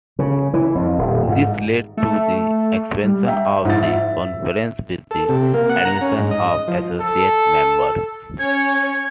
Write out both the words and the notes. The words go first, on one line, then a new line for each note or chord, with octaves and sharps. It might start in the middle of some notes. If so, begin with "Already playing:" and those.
This led to the expansion of the Conference, with the admission of Associate Members.
C#3
E3
F2
D#1
G#2
A3
G3
E5 G5 A#5
G#2 F3 E4 A6
E5
A4
C3
A#3
F#5
A#5
C#4
G#2
D#5
F3
A4
C#4 C#5 G#6 C#7